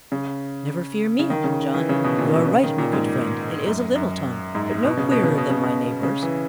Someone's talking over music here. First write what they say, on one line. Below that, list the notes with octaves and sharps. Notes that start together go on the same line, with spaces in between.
"Never fear me, Uncle John; you are right, my good friend, it is a little tongue, but no queerer than my neighbours."
C#3
C#3
D#3
C#3
E3
C#3
B2
A#2
B2
C#3
D#3
A#2
G#2
F#2
F#2
G#2
B2
C#3
B2
C#3
B2
C#3
B2
C#3
E3